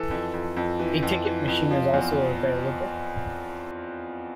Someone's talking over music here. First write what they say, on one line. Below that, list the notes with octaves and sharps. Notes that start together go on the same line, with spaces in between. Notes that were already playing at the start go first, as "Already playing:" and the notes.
A ticket machine is also available.
Already playing: E3 A4
F2
F2
F2
E3
F2
E3
F2
F3
E2